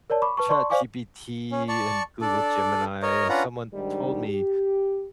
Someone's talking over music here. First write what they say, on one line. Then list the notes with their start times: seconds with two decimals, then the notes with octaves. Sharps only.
ChatGPT and Google Gemini, someone told me
0.10 A#4 C#5 D5 A5
0.22 B5 C#6 D6
0.37 B4 A5 C#6
0.49 D5 A5 C6 C#6
0.70 C5 D5 F5 G#5 C#6 D6
1.52 C#4
1.69 D5 A5 C#6
2.21 D4 A4 D5
3.03 A#4 C#5 D#5
3.29 C#4 D4 F4 B4 F#5 A#5
3.74 G#2 D#3 G3 D4 D#4
4.28 G4